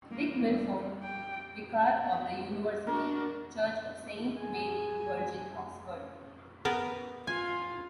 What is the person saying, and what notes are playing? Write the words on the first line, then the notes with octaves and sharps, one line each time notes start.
Dick Milford, vicar of the University Church of Saint Mary the Virgin, Oxford.
A#3
G3
G4 G5
B3
D4 F#4 A#4
G#4 G#5
B3 A#4 B4
F4 G#5